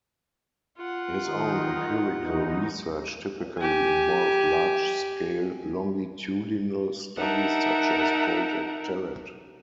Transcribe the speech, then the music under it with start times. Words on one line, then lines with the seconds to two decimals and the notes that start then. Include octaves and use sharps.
His own empirical research typically involved large-scale longitudinal studies such as Project Talent.
0.77 F4 F#5
1.23 D#3 D#4
2.14 E2 D#4
3.59 G4 G#5
7.18 D#4 A#4 E5 F#5 A5 A#5